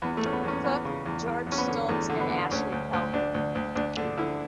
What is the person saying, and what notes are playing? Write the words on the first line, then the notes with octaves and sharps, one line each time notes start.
Cook, George Stults and Ashley Peldon.
E2 B3
A3
E2 C#4
B3
E2 C#4
E2 B3
C#3
E2
E2
E2
C#4
B3
D3
E2 A3
D3
B3
D3
D2 C#4
D2
D2
D2 D4
D2
D2
D2 D4
D3 D4
D3 E4